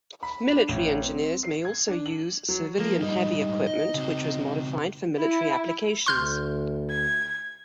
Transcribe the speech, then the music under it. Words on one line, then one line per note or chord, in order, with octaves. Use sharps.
Military engineers may also use civilian heavy equipment which was modified for military applications.
B5
D4
A1
C4
C7
G#6
D4
F#7
F#3
F3 A#3
G#2 G3 D#4
D#5
C#3 C4 F#4
E4
D2 C6 F6 G6
G#6